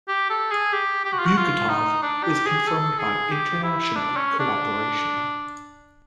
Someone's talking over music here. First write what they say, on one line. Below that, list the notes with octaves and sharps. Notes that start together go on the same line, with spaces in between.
Buketov is confirmed by international cooperation.
G4
A4
G#4
G4
G4
F#4
F4
F#4
F4
D#4
D4
G4
G#4
A4
G#4
G4
E4
D4
C#4
D4